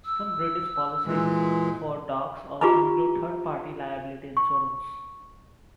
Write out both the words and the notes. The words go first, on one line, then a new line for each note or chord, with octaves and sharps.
Some British policies for dogs also include third-party liability insurance.
E6
A#2 E3 G#3
F4 G4 G#4 A#5 B5
C#6